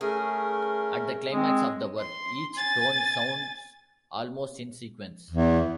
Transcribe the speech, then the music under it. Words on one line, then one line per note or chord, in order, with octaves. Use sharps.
At the climax of the work, each tone sounds almost in sequence.
A3 C#4 G#4 A#4
G#3 C4
C6
G#5 A6
E2